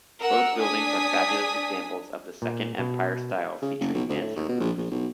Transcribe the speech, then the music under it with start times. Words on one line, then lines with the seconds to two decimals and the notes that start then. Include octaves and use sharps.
Both buildings are fabulous examples of the Second Empire style featuring mansard roofs.
0.21 A#4 F#5 E6
0.57 D4 G#5 D#6 B6
2.42 A#2
2.79 B2
3.62 C#3
3.80 F#1
3.94 B1
4.09 D2
4.21 A2
4.36 D#2
4.49 B2
4.60 A#1
4.77 A#1
4.91 B1